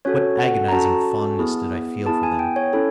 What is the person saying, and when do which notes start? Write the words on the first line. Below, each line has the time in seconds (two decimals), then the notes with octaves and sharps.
What agonizing fondness did I feel for them!
0.05 C#4 F#4 A4 C#5
0.39 F#5
0.68 A#5
0.72 C#4 F#4 A4 A5
1.39 B3 E4 G#4
2.06 B3 E4 G#4 A5
2.23 G#5
2.39 G5
2.56 C#5
2.73 C#4 E4 A4